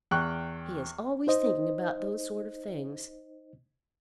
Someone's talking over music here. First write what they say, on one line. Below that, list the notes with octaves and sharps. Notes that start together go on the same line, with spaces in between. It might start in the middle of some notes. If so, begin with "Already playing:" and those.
He is always thinking about those sort of things.
E2 G5 C#6 F#6
D#4 C5 D#5